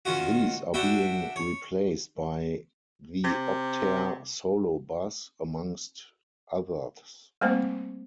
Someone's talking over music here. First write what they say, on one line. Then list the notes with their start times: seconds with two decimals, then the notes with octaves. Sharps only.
These are being replaced by the Optare Solo bus, amongst others.
0.05 D#3 C#4 F4 F#4
0.74 D4 F#4 E5 G5 B5
1.36 C#5
3.24 C3
7.41 G3 A3 A#3 C4 C5